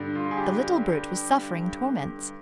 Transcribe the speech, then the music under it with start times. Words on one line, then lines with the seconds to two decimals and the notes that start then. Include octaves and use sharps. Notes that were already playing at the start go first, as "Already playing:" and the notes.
The little brute was suffering torments.
Already playing: G2 D3 G3
0.15 F4
0.31 G#4
0.37 G4